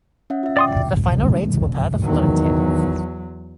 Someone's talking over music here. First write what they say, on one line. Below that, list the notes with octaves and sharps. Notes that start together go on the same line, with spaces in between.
The final rates were per the following table.
C#4 E5 F#5
F4 E5
D5 G5 C6 D6 D#6
D5
E2 D#3 F#3